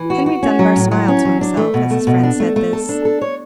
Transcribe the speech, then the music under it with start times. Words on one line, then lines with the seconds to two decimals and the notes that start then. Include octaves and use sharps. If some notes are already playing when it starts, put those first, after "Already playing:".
Henry Dunbar smiled to himself as his friend said this.
Already playing: E3
0.10 F#4
0.26 F#4
0.43 C#4
0.59 F#3
0.76 A2
0.91 F#3
1.08 C#4
1.25 F#3
1.41 D4
1.57 A3
1.74 B2
1.90 A3
2.07 B2
2.23 D4
2.40 A3
2.56 A3
2.73 A4
2.89 D4
3.05 A4
3.21 C#5